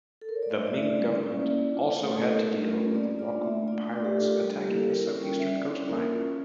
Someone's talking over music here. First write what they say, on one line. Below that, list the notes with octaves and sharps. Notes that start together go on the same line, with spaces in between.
The Ming government also had to deal with wokou pirates attacking the southeastern coastline.
A4
A#4
C#5
D5
A3 E5
D5
E4
D5
G3
A#3 C#4 E4
A#3
D4 F4
A3 C#5
A4
E4 A4
A#4
A3
C#4 F4
A#3 D5
D4 F4 D5
A3 E5
D4 F4 D5
A3 D5
G4
D4 F4 A4
A#4
G3
G4
A#3 E4
A4
G3 A#4
C#4 F4
G5
G3 E5
E5
D5
C#4 E4
C#5
A#3 A#4
C#4 F4